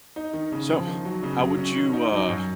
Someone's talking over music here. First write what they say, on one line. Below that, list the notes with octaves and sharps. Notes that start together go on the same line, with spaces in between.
So, how would you, uh,
D#4
D#3
C#3
F3
D#3
F#3
C#3
F#3
C#4
D#3
D#4
F#3
F#2